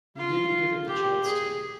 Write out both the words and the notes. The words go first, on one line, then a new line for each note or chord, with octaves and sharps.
We didn't give it the chance to.
F4
G4
G#4